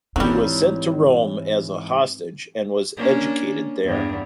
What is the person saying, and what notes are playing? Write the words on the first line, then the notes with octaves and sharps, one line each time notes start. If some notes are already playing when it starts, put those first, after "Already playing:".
He was sent to Rome as a hostage and was educated there.
G#2 E3 F#3 G3 C4 D#4
A#3 C#4 D4
E2 G2